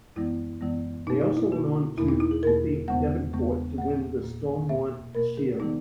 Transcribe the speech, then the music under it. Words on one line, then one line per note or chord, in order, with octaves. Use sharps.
They also went on to defeat Devonport to win the Stormont Shield.
F#2 E3 G#3 B3 E4
F#2 E3 G#3 B3
B2 A#3 D#4
D#4
E4
B2 A#3 F#4
E2 B2 A#3 E4
D#4
E4
G#4
E2 B2 A#3 A#4
E2 C#3 G#3 B3 F#5
E2 C#3 G#3 B3
A#2 A#3 F#5
A#2 A#3
B2 A#3 E5
B2 A#3 A#4
G#4
C#3 E3 G#3 B3 D#4